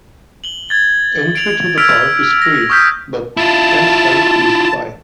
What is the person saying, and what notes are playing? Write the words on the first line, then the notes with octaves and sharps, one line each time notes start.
Entry to the park is free but camp-site fees apply.
F#7 G7
G#6 A6 G7
D7 F7 F#7
E6 F6 G#6 B6 D7 F7
A#6
C#6 D#6 F6 G6 B6
E4 F4 A5